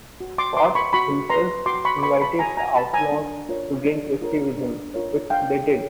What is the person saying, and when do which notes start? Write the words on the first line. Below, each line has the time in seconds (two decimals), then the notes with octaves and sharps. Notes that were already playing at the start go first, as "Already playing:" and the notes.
Scott himself invited the outlaws to drink whisky with him, which they did.
0.20 F#4
0.38 C6 D6
0.57 B4 C6 D6
0.75 B5 C#6
0.93 F#4 B5 C#6
1.30 B4 A#5 C6
1.66 F#4 C6 D6
1.85 B5 C#6
1.98 D6
2.03 B4 B5 C#6
2.21 A5 B5
2.39 F#4 G#5 A#5
2.57 G#5 A#5
2.76 B4 A5 B5
2.93 G#5 A#5
3.12 D4
3.49 F4 A#4 C#5
3.85 D4
4.22 F4 A#4 C#5
4.57 D4
4.94 F4 A#4 C#5
5.30 D4 F5 G5
5.67 F4 A#4 C#5